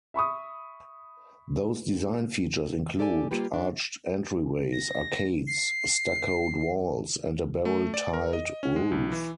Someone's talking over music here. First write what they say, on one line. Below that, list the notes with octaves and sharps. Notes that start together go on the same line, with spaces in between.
Those design features include arched entryways, arcades, stuccoed walls and a barrel-tiled roof.
E5 B5 C#6 D#6
G4 A4 D5 F#5 G#5
G3 A#3 F4 G4 B4
D4
A#6
C7
A3
D5
A#4
D#5
C#4
G#3
B1
E3